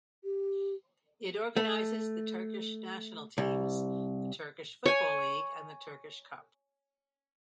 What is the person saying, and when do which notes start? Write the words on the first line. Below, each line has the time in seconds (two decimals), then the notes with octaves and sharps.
It organizes the Turkish national teams, the Turkish football league and the Turkish Cup.
0.24 G4
1.57 A3
3.38 C2
4.86 C#5 G#5